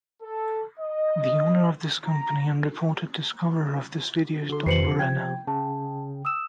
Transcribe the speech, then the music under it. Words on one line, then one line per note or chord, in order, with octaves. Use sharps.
The owner of this company and reported discoverer of this video is Don Warrener.
A4
D#5
A#5
D3 F#4 A4 C6
F2 C3 F3 B4 C5 C7 C#7 F#7
G5 G#6
C#3 A5
D#6 E6 E7